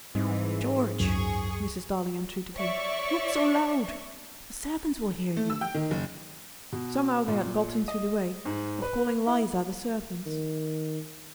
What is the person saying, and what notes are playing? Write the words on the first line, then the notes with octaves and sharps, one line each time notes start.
"George," Mrs. Darling entreated him, "not so loud; the servants will hear you." Somehow they had got into the way of calling Liza the servants.
G#2 E3 G3 C4 D#4
C#2 F#2 G#4 C#6
C#5 D5 E5 C#6
A3
E6
G5
D#3
F#1
B2
A#2
D#5
G#2
B4
E4
D#3